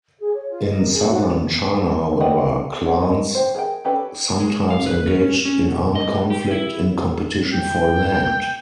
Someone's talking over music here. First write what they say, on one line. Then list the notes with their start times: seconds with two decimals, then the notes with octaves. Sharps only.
In southern China, however, clans sometimes engaged in armed conflict in competition for land.
0.19 G#4
0.33 C#5
0.50 F4
0.62 D#5
0.77 A#4
0.92 G#4
1.09 F#4
1.22 D5
2.21 F#4 G4 B4 D5 D#5
2.85 G#4 F#5
3.02 D#5
3.35 G4 C5
3.55 G#4 A#4 F#5 G5
3.85 C#4 D4 G4 A4 B4
4.40 G#3
4.70 F5
4.86 B4
5.07 C#4
5.45 C#4
5.68 B2
5.95 D#5
6.15 G#2
6.30 G4
6.51 E4
7.53 G5